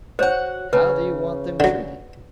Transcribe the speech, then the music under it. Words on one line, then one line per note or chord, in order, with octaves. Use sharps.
'How do you want them treated?'
F#4 C5 C#5 F#5
C#3 B4
D3 F#3